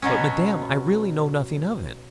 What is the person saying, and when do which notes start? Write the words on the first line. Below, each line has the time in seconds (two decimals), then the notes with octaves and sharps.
'But, Madame, I really know nothing of it.
0.02 B2 F#3 C#4